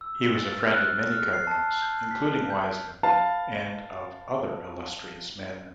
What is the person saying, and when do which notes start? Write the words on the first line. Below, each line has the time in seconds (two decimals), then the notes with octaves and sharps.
He was a friend of many cardinals, including Wiseman, and of other illustrious men.
0.01 E6
0.36 A6
0.61 F6
0.74 F#6
1.12 F6
1.33 C7
1.47 A5
1.82 G6
2.11 B6
2.50 G6
3.03 B4 F5 A5